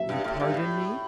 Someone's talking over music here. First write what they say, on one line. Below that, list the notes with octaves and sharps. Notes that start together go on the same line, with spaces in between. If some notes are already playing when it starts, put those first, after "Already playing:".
"You pardon me?"
Already playing: E5
G2
A2
G2
A2